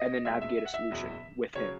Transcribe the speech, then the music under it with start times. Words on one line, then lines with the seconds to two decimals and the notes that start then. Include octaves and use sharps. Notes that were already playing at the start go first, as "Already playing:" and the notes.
and then navigate a solution with him,
Already playing: D#5
0.25 E2 B2 G#3 E5
0.41 E5
0.57 E5
0.65 F#5
0.74 E5
0.90 F#1 E2 B2 F#3
1.55 C#3 F#3 C#5